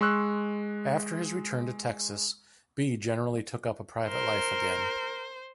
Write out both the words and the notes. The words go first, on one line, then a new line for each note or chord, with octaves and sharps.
After his return to Texas, Bee generally took up a private life again.
G#3 C6 C#6 E6 F#6
A#4 C5